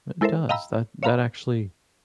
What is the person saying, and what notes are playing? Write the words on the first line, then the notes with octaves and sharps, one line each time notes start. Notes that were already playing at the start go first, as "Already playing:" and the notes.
But it does, that that actually
G#3 E4 A4 A#4 C5 E5
D#5 F5 G5 A#5 B5 E6
C#5 E5 F5 A#5 B5